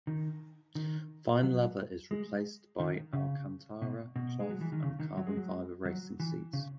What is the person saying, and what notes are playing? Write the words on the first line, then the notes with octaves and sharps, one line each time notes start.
Fine leather is replaced by alcantara, cloth, and carbon fiber racing seats.
D#3
D#3
F#3
G#3
D#3
C#3
B2
B2
G#3
F#3
E3
D#3
C#3
D#3
F#3
G#3
F#3
F#3
E3
C#3